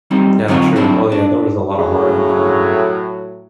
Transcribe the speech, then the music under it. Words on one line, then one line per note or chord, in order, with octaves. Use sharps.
Yeah, true, oh, yeah, there was a lotta heart in that, yeah.
A#2 G3 C4 D#4
D3 F#3 C4 D#4 F4 C#5
F#3 C4 D4 E4 F#4
D4
A2 C#3 F#3